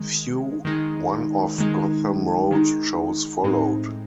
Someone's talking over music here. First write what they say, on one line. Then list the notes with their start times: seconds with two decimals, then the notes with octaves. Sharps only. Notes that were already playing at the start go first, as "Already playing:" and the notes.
Few one-off Gotham Road shows followed.
Already playing: D#3 G#3
0.65 D#3 G#3 D#4
1.58 D#3 G#3 D#4
2.51 D#3 G#3 D#4
3.44 A2 G#3 C4 D#4